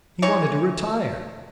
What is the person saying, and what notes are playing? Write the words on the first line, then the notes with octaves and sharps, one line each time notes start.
He wanted to retire.
E3 D#4 C#5